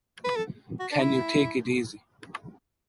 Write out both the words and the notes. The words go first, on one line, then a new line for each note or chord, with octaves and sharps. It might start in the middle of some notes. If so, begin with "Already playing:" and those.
Can you take it easy?
B4
A4
F#4
D4
E4